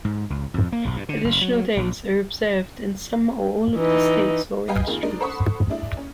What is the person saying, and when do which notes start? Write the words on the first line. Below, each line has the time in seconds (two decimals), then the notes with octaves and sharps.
Additional days are observed in some or all the states or industries.
0.05 G#2
0.30 C#2
0.54 F2
0.72 A#3
0.85 B1
0.96 G2
1.09 D3
1.24 F#1
1.41 F#3
1.77 A#1
3.76 E3 D#4
4.68 B4 D#5 F5 G5 G#5 B5
4.87 F2 D#3 F4 G#4
5.03 G#3 D4 D#4 A#4
5.20 A4 C5 F#5 B5 C#6 D#6
5.69 G#3 D4 E4
5.97 C#4